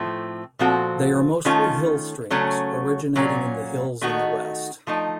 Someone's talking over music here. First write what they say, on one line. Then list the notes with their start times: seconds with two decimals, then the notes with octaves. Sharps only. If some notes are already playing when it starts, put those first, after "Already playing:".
They are mostly hill streams, originating in the hills in the west.
Already playing: A2 F3 A3 C4
0.59 A#2 F3 C4 F#4 A4
1.45 D#3 A3 C#4 F4 A4
2.30 C#3 F#3 A3 C#4
3.16 A#2 F#3 A#3 C#4
4.01 D#3 A3 D#4 F#4
4.87 F3 A3 D#4